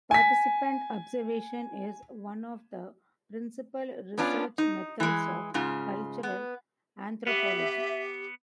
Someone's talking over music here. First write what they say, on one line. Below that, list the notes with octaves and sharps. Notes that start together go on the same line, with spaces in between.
Participant observation is one of the principle research methods of cultural anthropology.
G#5 B6
B3 C#4 D4 F4
D#4
E3 G#3
G#2 C#3 F4
B3
B3 G4 E5